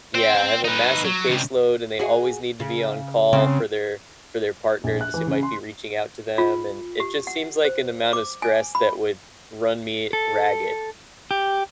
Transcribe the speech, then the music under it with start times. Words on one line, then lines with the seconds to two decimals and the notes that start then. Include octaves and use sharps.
Yeah, have a massive caseload, and they always need to be on call for their for their partners who might be reaching out to them, and it just seems like an amount of stress that would run me ragged.
0.14 C5 G5
0.35 C5 G5
0.64 D#4 B4
1.04 F#3
1.28 C#2 C3
1.99 F#4 G#4
2.60 C#3
3.33 C#3 C4
4.84 A#1
5.01 F#6
5.14 E3
5.27 C#3
5.43 C6
6.38 F4
7.00 G4
7.27 F#5
7.64 C5
8.13 D6
8.42 G#5
8.75 B5
10.13 A4
11.31 G4